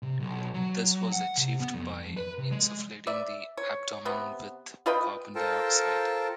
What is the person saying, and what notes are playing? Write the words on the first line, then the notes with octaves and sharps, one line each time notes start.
This was achieved by insufflating the abdomen with carbon dioxide.
C3
B1
F#3
F#5
C3
B3
F2
B4
C3
G#3
D5 E5
C#5
C3 B3
F4 B4 D#5 G5
F4 A4 A#4 C5 G5 A5